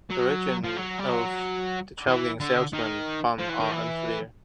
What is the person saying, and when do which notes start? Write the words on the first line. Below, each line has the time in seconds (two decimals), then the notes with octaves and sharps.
The origins of the travelling salesman problem are unclear.
0.10 F#3
0.64 F3
0.76 F#3
0.98 G3
1.09 F#3
2.07 E3
2.40 D3
2.73 D#3
3.39 F3
3.49 E3
3.60 D#3
3.71 E3